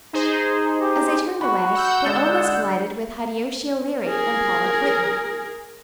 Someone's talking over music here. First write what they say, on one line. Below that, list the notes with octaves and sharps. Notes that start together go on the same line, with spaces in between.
As they turned away, they almost collided with Hideyoshi O'Leary and Paula Quinton.
D#4 G#4 C5
G4
F#4 B5 C#6
F#5 E6 G6
D3 G#3 A5
G#4 A#4